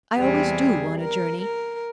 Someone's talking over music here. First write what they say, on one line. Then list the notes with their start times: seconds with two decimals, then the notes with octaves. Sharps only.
I always do, on a journey.
0.17 E2 C3 G3 G#4
1.01 A#4
1.42 A#4